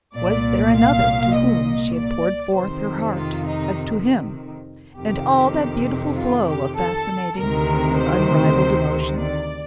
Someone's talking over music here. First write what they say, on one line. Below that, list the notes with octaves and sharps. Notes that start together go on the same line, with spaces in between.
Was there another to whom she had poured forth her heart as to him, and all that beautiful flow of fascinating and unrivalled emotion?
C2 A#2 D5
F5
D#5
D5
F2 C3 D#3 C5
F4
D#4
F2 C3 D#3 G4
F4
G4
A4
D2 C3 D#3 A#4
C5
D5